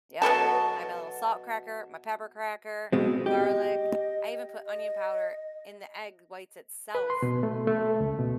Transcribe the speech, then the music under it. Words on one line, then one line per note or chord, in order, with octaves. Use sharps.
Yep, I have my little salt cracker my pepper cracker, garlic, I even put onion powder in the egg whites itself,
B2 F#3 A4 A5
B2 G#3 C4
G4 D#5
D#5
B4
C6
B2
A3
A3
C#2
B2